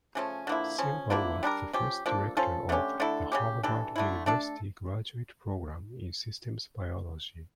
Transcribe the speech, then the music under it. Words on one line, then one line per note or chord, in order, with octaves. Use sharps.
Silver was the first Director of the Harvard University Graduate Program in Systems Biology.
C#3 F3 A3 C#4
D3 F3 A#3 E4
C#3 F3 C#4
D3 F3 A#3 E4
G3 D4 G4 A#4
F3 C#4 G4
F3 A#3 D4 A4
F3 C#4 F4 A4
D3 A3 C#4 G4
D3 A3 E4 A4
C#3 F3 C#4 G4
E3 G3 D4 A4
D3 A3 E4
A3 D4 A4